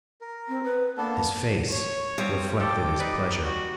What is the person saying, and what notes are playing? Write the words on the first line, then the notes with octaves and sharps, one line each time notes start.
His face reflected his pleasure.
A#4
C4
B4
A#3 B3 D4 A4
C#5
F3 G3 C4
F3 A4 G5 D6
D#4 B4 D5
F#4